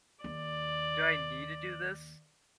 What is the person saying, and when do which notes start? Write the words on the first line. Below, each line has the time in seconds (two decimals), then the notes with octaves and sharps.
do I need to do this?
0.24 D#2 D5